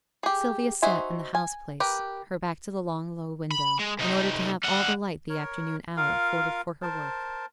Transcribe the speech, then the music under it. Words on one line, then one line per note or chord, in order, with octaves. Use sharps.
Sylvia sat in the house-place, her back to the long low window, in order to have all the light the afternoon hour afforded for her work.
G4 G#4
D#4 F#4 C5 E5 G#5
G#5
G4 A#4 B4
B5
G#3
C3 D#4
G3 F#5
A#4 C#5
F4 A#4 F5
A#4 C5 A5